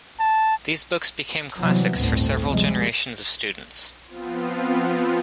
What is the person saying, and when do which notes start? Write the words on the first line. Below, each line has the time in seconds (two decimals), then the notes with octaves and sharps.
These books "became classics for several generations of students".
0.19 A5
1.58 C3 E3 F#3 G3 B3 C4
1.98 G1 D2 A2 A3 C4
2.47 C3 F3 G3 G#3
4.07 F3 B3 C4 F4